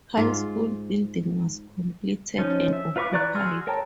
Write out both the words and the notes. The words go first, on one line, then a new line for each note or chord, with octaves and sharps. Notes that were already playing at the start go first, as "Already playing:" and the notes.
High School building was completed and occupied.
G#2 F4
F3 C#4 D#4
E5
F4 B4 B5 C#6 D6
E3 D5 A#5 C#6 F#6
F#4 G#4 C6 E6 F6
A#4 C#5 G5 A5 A#5